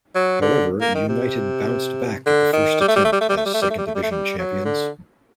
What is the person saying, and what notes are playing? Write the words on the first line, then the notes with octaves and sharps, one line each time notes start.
However, United bounced back at the first attempt as Second Division champions.
F#3
D3
A#3
D#3
C3
D3
D#3
G3
A3
G3
A3
G3
A3
G3
A3
G3
A3
G3
A3
G3
A3
G3
A3
G3
F#3
D3